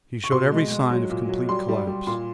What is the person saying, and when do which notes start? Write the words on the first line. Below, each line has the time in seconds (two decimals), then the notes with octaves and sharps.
He showed every sign of complete collapse.
0.24 C#6
0.32 B2 C6
0.52 G#3
0.71 G#3
0.90 F#3
1.10 A#2
1.29 F#3
1.49 G3 C6
1.69 G3
1.87 G3
2.07 A#2 C6